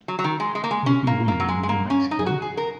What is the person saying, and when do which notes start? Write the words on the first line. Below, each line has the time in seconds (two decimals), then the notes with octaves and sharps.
Will it be windy in New Mexico?
0.08 F#3
0.19 F#3
0.24 D#3
0.40 G#3
0.55 G#3
0.64 A#3
0.71 G#3
0.86 C#4
1.07 A#3
1.28 A#3
1.40 F#3
1.49 G#3
1.63 G#3
1.69 A#3
1.90 C#4
2.11 D#4
2.19 G#4
2.26 F#4
2.42 G#4
2.57 A#4